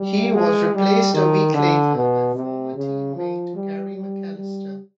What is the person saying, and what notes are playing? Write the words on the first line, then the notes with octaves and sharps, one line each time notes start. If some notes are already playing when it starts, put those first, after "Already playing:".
He was replaced a week later by former team-mate Gary McAllister.
Already playing: G3
G#3
G3
D#3
D3
B2
C3
C#3
F3
G3
G3
G3